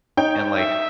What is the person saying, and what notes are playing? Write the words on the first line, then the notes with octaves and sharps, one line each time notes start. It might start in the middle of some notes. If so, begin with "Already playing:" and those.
and, like,
D#4 C#5 G5 G6
E5